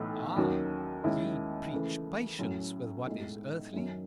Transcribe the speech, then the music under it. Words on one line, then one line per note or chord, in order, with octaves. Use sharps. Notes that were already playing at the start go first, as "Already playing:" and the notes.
Ah! ye preach patience with what is earthly?
Already playing: B1 A2 E3 A3
D#2 D#3 F#3 C#4 F#4
D#2 D#3 G#3 C#4 E4
C#3 E3 A3
A2 F#3 C#4
B1 A2 G#3
F#2 D#3 F#3 C#4